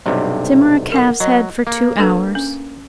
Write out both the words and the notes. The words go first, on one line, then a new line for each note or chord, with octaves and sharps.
Simmer a calves' head for two hours.
B1 G2 C3
A#4 F#5
F#3 D#5
A#3
D4 A4 B4
C#4